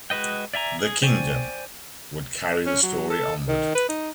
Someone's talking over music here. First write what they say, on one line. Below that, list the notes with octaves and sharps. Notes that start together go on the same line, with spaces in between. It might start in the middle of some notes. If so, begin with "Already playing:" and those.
"The Kingdom" would carry the story onward.
G#3 F#4 B4 D#5 G5
D5 E5 G#5 A#5
G#4
C5 D5 G5 G#5 C#6
C#4
F#3
A4
D#3
B4
D#4